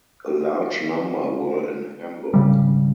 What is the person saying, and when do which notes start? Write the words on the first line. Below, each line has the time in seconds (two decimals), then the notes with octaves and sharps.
A large number were in Hamburg.
2.34 G#1 C#3 G3